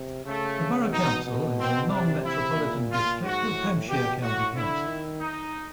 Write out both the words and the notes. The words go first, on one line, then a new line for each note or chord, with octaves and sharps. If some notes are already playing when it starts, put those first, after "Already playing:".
The borough council is a Non-metropolitan district of Hampshire County Council.
Already playing: C3
C#3 A3
B2 D#4
B2
C4
C3 D4
E4
A#2
F4
G#2 F#4
A2
B2 G4
A2 F#4
D3 E4
D#3
D#4